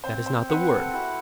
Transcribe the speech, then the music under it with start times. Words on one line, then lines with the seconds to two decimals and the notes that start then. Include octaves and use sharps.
That is not the word.
0.04 C4 C5
0.26 C5
0.49 B4 F#5
0.72 A4
0.94 E4 F#4